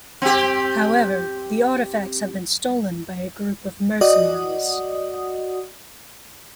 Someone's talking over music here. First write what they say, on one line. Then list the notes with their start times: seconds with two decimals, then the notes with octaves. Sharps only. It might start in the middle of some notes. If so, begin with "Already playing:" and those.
However, the artifacts have been stolen by a group of mercenaries.
0.22 C4 G4
4.01 F#4 D5 D#5 F#5 D#6